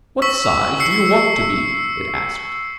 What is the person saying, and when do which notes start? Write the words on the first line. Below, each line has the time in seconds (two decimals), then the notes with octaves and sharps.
'What size do you want to be?' it asked.
0.22 C#6 E6 B6
0.80 E6 C7 C#7